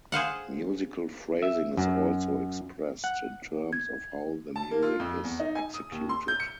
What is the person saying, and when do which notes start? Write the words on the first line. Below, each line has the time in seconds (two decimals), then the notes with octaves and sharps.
Musical phrasing is also expressed in terms of how the music is executed.
0.12 G#4 C5 F5 F#5
1.42 E5
1.77 F#2
3.04 F#5
3.73 G#6
4.56 A5
4.71 A#3
4.82 F4
5.00 F2
5.24 E2
5.40 D#4
5.55 G#5
5.74 D#6
5.92 D#2
6.09 C6
6.28 G6
6.40 C#7